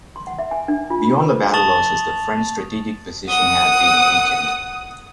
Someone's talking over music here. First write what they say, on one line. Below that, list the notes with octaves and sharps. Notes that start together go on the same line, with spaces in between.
Beyond the battle losses, the French strategic position had been weakened.
C6
F#5
E5
G#5
D4
F4
B5
B4
A4
A5 C#6 D#6 A6 F7 F#7
F#5 D#6